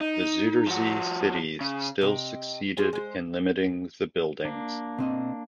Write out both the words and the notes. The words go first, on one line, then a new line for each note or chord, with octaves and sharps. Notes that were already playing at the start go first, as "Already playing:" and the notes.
The Zuiderzee cities still succeeded in limiting the buildings.
D#4
F3 F#4
C#3
C3 D#5 G5
C#4 F4 G#4 G#5
G#3 C5
A#3 D4
B2 C4 D#5